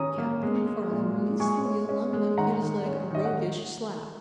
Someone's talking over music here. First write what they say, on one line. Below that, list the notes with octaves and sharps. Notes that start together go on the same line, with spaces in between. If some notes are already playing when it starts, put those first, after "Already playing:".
Captain MacFarland released the wheel long enough to give his leg a roguish slap.
Already playing: D#3 C#4 A#5 D#6
A#3
G#3
G#3
A#2
G#3
G#3 G#5 C#6
C#4
C#4
G#3
D#3 F#5 A#5
D#3
C#4
D#3 D#5
F#5